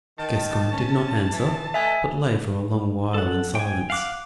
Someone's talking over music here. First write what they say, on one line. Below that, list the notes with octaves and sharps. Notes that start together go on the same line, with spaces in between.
Gascoyne did not answer, but lay for a long while in silence.
D#3 A5
C#4
E3
A3 B4 D#5 E5 G#5
A4 F#5
G5 G#5
F5 F#5 D6 F#6